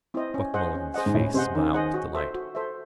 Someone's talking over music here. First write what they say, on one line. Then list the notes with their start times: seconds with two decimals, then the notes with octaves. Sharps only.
Buck Mulligan's face smiled with delight.
0.14 C4 E4 C5 D#5
0.34 C#4
0.54 G#4 C5 D#5 F#5
0.75 C#4
0.94 G#4 C5 D#5 F#5
1.06 G#2
1.14 A2 C#4
1.34 C3 G#4 C5 D#5 F#5
1.55 D#3 C#4
1.74 G#4 C5 D#5 F#5
1.94 F#4
2.15 A4 C5 E5
2.35 F#4
2.55 A4 C5 E5